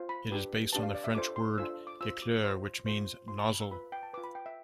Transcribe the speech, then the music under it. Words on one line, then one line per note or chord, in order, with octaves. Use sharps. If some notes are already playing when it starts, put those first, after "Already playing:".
It is based on the French word gicleur, which means "nozzle".
Already playing: F4 C5
B5
D4 G4 B4
D4 G4 B4 A5
F5
D5
E5
D4 F4 A4 C5 D6
C6
D4 F4 A4 C5 E6
D6
F4 C5 E6
D6
F4 C5
F4 C5
F4 C5 C6
A5
B5
E6
F4 B4 B5
G5
A5
F4 B4 D6
B5
G5
E5